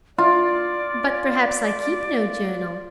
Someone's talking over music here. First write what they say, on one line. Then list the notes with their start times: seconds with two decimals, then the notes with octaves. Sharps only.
"But, perhaps, I keep no journal."
0.18 F4 D5